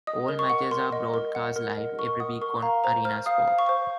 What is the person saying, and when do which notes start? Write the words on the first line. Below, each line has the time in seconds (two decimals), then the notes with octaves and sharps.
All matches are broadcast live every week on Arenasport.
0.07 D#5 D#6
0.28 A#4
0.39 C#6
0.50 F#5
0.71 A#4 C6
0.92 D#5
1.14 A#4
1.35 F#5
1.56 A#4
1.78 D#5
1.99 A#4 C#6
2.20 F#5 D#6
2.42 A#4 C#6
2.62 F5 A#5
2.84 C5 A#5
3.05 C5 F6
3.26 F5 D#6
3.48 F5
3.59 C#6
3.69 C5